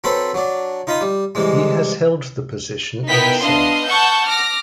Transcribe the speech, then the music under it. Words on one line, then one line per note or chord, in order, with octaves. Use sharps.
He has held the position ever since.
F#3 C4 A4 B4 B5 C6
F#3 D4
D#4 F4 D#5 B5 D#6
G3
C3 E3 G3 G#3
B3 D#4 E4 A#4 G5 B6
B3 D4 D#5 F5 C6
F#5 A5 C#6 E6 G6
D6 F6 A#6